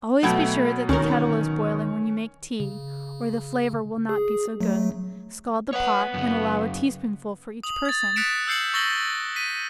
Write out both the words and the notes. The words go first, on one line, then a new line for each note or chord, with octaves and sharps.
Always be sure that the kettle is boiling when you make tea, or the flavor will not be so good, scald the pot, and allow a tea-spoonful for each person.
B2 F#3 A3 F#5 G5 A5 B5 G#6
D2 D#3 C#4 A#4
C#3
G#4
F#3 A3
B3 C#5 F#5
F#2 C#3
D#6 F#7
G#6 A6
D#6 F#6 B6 C#7 D7 E7
E6 G6 C7 C#7 F#7
C#6 E6 A6 A#6 F#7 G7
B6 D#7